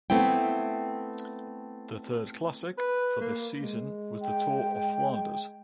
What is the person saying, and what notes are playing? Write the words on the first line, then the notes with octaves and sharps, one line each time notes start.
The third classic for this season was the Tour of Flanders.
A3 B3 C4 E4 G5
B4
A#3
G#3
G5